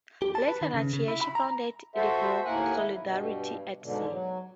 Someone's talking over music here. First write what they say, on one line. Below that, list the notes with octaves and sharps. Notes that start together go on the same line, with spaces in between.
Later that year she founded the group "Solidarity at Sea".
G4
A5
B4
D#3
C#3
C#3
E4
B5
A#5
F#4 A4 C5 E5
D#2 A2 A#3 A#4 F#5 G#5
E4
G2 B2
G#2 B2 D3
F#3